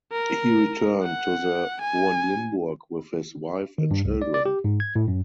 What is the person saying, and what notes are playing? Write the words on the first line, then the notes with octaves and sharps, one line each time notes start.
He returned to the Hohenlimburg with his wife and children.
A#4
F#5
G#5
D#3
G2
C2
D5
D5
G4
G#2
G#6
A2
F#2